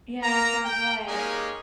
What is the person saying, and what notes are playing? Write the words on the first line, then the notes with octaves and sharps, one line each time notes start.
Yeah, they're so good.
A#3 A#5
G5
G#3 A#3 C#4 D#4 G4 G#4